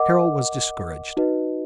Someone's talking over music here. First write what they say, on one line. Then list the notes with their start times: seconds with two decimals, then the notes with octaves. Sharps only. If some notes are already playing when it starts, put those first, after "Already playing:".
Carol was discouraged.
Already playing: A#4 D#5 F#5 D6
1.17 D#4 F#4 B4 D#5